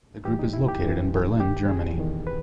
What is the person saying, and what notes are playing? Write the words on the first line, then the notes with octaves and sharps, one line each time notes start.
The group is located in Berlin, Germany.
G2 E3 G4
D#4
E4
G4
G2 E3
E2 D#3 G4
G#4
E2 D#3
B4